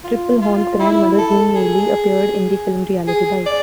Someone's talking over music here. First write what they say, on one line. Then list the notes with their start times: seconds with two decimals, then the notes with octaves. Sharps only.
Tripplehorn's grandmother, Jean Neely, appeared in the film "Reality Bites".
0.04 F4
0.42 F4
0.80 E4
1.18 A4
1.56 G#4
3.08 G#4
3.47 D5